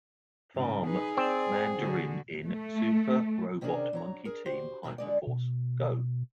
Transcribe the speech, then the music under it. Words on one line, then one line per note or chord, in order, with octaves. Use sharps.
Farm", Mandarin in "Super Robot Monkey Team Hyperforce Go!
G#2 C#3
D#4 G#4 B4
C4 D5
D3 F#4
A3
C3 D#3 C#4 D4 G#4 A#4
F#3 C#5 A#5
G#4 A#4
F#4 G4 C5
G#2 B2 D#3 F3 F#3
D3 G#3 D5
B2